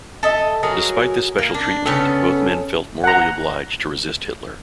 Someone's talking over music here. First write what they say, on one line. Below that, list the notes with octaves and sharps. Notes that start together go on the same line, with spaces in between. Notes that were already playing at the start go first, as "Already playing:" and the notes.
Despite this special treatment, both men felt morally obliged to resist Hitler.
A4 D#5 E5
F#3 F#4 G#4 A#4
A#3
D4
C#3 B3 C#4 A4
F#5 A#5